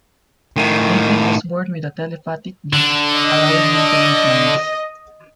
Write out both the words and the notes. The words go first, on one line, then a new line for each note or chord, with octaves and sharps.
David was born with a telepathic gift allowing him to read minds.
A2 D#3
D3
D#5